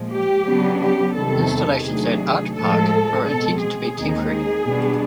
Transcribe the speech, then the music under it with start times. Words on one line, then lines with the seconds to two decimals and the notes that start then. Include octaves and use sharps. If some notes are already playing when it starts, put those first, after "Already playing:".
Installations at Artpark were intended to be temporary.
Already playing: A#2 F3 G#3
0.11 G4
0.46 C#3 F#3 B3 D4
0.81 G4
1.16 E2 C3 D#3 G3 A4
1.86 C3 D#3 F#3 A3 D4 G#4
2.56 A2 F3 G#3 A4
3.26 B2 G#3 C4 A4
3.61 G#4
3.96 D#2 D#3 G#3 C4 D#4
4.30 G#4
4.65 B2 G3 B3 D4